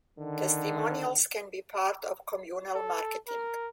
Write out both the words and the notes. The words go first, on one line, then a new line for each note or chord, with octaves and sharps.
Testimonials can be part of communal marketing.
D3 D#3
A4
A#4